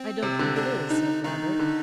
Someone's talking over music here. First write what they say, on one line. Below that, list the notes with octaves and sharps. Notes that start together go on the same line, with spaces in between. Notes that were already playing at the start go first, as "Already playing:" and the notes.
"I don't think it is," said Robert.
Already playing: C4
C3
D3
D4
D#4
D#3 D#4
D3